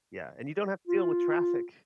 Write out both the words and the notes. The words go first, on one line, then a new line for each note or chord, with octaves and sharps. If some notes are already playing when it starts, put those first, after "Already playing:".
Yeah, and you don't have to deal with traffic,
F4